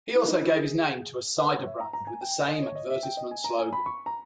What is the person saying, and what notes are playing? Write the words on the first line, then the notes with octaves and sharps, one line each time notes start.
He also gave his name to a cider brand with the same advertisement slogan.
E4
D#4
E4
G#4
B4
C#5
E5
A#5
A#5
G#5
G5
D#5
C#5
D#5
E5
G5
D#5
G#5
A#5
G#5
B5
C#6
A#5